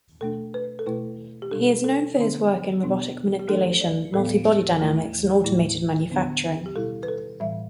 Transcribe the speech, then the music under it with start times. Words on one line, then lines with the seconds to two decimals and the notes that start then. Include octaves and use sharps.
He is known for his work in robotic manipulation, multibody dynamics, and automated manufacturing.
0.21 B2 A3 D4 A4
0.54 B4
0.79 A4
0.86 B2 A3 E4 B4
1.42 G4
1.51 B2 G3 D4 A4
1.84 A4
2.17 D3 B3 D4
2.83 B2 B3 D4
3.39 G4
3.48 E3 A3 D4 A4
3.81 D5
4.13 A2 G3 B3 A4
4.79 E3 A3 E4
5.44 A2 A3 E4
6.10 D3 B3 D4
6.66 G4
6.75 B2 G3 E4 A4
7.03 B4
7.08 A4
7.40 A2 E3 G3 E5